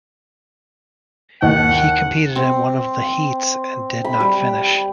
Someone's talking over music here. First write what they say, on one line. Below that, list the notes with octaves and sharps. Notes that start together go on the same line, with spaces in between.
He competed in one of the heats and did not finish.
D#2 F#5
C4
B5
G3